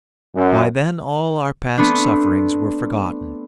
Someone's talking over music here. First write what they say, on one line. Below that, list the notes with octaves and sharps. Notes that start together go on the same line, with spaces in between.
By then all our past sufferings were forgotten.
F#2
A3 B3 C4 D4